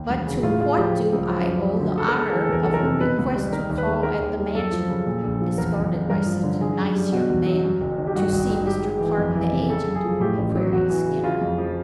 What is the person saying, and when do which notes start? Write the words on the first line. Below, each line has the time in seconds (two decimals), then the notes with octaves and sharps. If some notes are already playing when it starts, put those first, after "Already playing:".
"But to what do I owe the honor of a request to call at the Mansion, escorted by such a nice young man, to see Mr. Clark, the agent?" queried Skinner.
Already playing: D#2
0.09 E1
0.26 C#3
0.43 A2 F4
0.60 G#3 F4
0.78 F3 G4
0.95 C#3
1.12 C#2
1.29 F3
1.47 F#2
1.63 F#3
1.80 D3
1.97 C#3 A4
2.08 A#4
2.15 G#3 A4
2.30 E3 A#4
2.40 A4
2.49 E2 A#4
2.63 F1 A4
2.74 A#4
2.83 C3 A4
3.01 B2 B4
3.18 C#2
3.35 G3
3.52 D#3 A#4
3.69 D#2
3.78 B4
3.86 G#3
4.03 D#3 A#4
4.21 D#2
4.38 G3
4.55 F#2 A4
4.72 F3
4.89 C#3
5.06 A#2
5.24 A#1
5.40 F3
5.58 E2 A#4
5.75 F#1
5.92 C#3
6.09 G2 A#4
6.26 F3
6.44 D3
6.61 D3 G#4
6.78 F#2
6.95 G3
7.12 B2 F#4
7.30 E2
7.46 F#3
7.63 F#2
7.80 F#1
7.98 D#3
8.07 G4
8.15 G2 F#4
8.32 G#1
8.50 D#3
8.67 G#2 G4
8.83 G#3
9.00 E3
9.18 F2
9.35 E3
9.52 C3
9.69 C#3 A4
9.87 F#2
9.95 G#4
10.04 F3
10.20 A2 G4
10.38 A1
10.56 F#3
10.72 E2 F#4
10.89 E3
11.06 C#3
11.23 C#3 F4
11.41 F2
11.58 F3